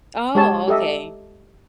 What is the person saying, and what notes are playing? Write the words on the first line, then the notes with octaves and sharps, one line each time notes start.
Oh, okay.
G#3 G4 C#5 A5
G4 A4 D#5 E5